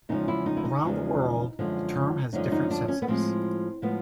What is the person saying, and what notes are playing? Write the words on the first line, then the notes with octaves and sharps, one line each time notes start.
Around the world, the term has different senses.
E2 C#3 F3 G#3 D#4
E4
D#4
E4
D#4
E2 C#3 F3 G#3
F#2 D3 F3 G#3
F#2 D3 F3 G#3 D#4
D#4
D4
C#4
B3
A2 F3 G#3 C4
A2 F3 G#3 B3